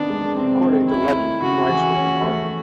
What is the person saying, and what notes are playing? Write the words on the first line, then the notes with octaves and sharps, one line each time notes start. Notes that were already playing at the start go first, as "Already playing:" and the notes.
According to legend, Brice was an orphan.
Already playing: C3 D#3 B3 D4
G#3
C3 C4
D#3
C#4 E4
A3
C#3 F#4
E3
C#4
A3